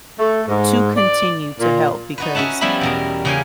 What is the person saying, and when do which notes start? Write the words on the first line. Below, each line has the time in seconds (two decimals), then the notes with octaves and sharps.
to continue to help because
0.18 A3
0.46 G#2
0.96 D5
1.59 A#2
2.18 D#4 F#4 B4
2.35 C#4 F#4 E5 F#5 A5
2.61 F3 G3 B3 E4 E5 B5
2.81 E2 B2 A#4
3.25 C#3 A#3 C#4 G5 G#5